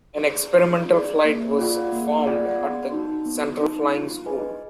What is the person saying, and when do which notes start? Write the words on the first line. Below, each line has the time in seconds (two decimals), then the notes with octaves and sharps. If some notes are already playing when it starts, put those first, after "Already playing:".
An "Experimental Flight" was formed at the Central Flying School.
0.25 G#4 D5
0.58 F4
0.92 G#4 D5
1.25 A#3
1.58 F4 G#4 D5 F#5
1.93 A#3
2.26 F4 G#4 D5 F#5
2.59 B3
2.92 D#4 F#4
3.26 B3
3.59 D#4 F#4
3.93 F4
4.26 G#4 B4 D#5 G#5